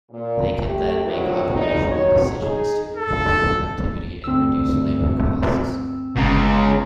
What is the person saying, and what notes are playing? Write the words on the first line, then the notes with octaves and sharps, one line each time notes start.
They can then make operational decisions to increase productivity and reduce labor costs.
A#2
A3 G4
D2 A2 D#3 F3 F#3
E2 A#2 D#4
D#3 F#3 C#5
D#4 G#4
A4
D2 G2 C4 E6
G1 C#2 C#3 B3 A#5